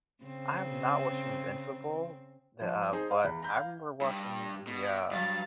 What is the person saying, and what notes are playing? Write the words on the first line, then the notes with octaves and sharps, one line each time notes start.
I've not watched Invincible, eh, uh, but, I remember watching the, uh
C#3 C4
F3
D#4 G#4 C5
F5
E2 B5
A#5 B5 G6
F5
G2
B2
G2 F#3 F5 A6